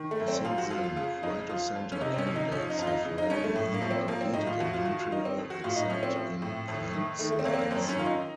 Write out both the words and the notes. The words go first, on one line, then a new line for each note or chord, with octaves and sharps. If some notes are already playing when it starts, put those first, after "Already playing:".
Since then, right-of-centre candidates have rarely even competed in Montreal except in landslides.
Already playing: D#3
A3
F#2
C4
F3 F4
F#4
F2 F4
F4
C#3 F4
F2 D#4
F3 F4
F2
C#4
C3 D#4
C4
C#4
F2
D#4
F3 C#4
D#4
F2 F4
D#4
C#3
D#4
F2 C#4
A3
A2
A#3
F3
C4
F3 A#3
C4
A2 D#4
F4
F2 F#4
F4
D#3 F#4
F4
D#3 D#4
C4
F2
F#4
A2 F4
D#4
F3 C#4
C4
F3
A2
F2
D#3
D#3 A3
A3
C4
F2 A#3
C4
A#3
F#2 C4
C#4
D#3 F4
D#4